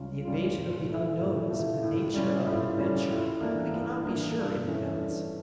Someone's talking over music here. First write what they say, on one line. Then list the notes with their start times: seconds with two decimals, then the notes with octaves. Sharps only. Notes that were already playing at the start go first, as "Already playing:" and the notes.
The invasion of the unknown is of the nature of an adventure; we cannot be sure in advance.
Already playing: C#2 C#3 G3 C#4 F4
0.25 C#3 G3 C#4 F4
0.57 A#2
0.88 A3 E4
1.19 A#2
1.51 A3 E4
1.83 A2
2.14 G3 C#4 F4
2.45 A2
2.78 G3 C#4 F4
3.09 A2
3.40 E3 A#3 D4
3.71 A2
4.03 E3 A#3 D4
4.35 G2
4.67 E3 A3 C#4
4.97 G2